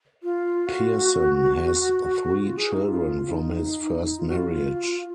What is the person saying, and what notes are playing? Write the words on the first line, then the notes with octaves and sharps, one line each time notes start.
Pearson has three children from his first marriage.
F4
F#4
F#4
F4
G#4
D#4
F4
F4
D#4
F4
F#4
F4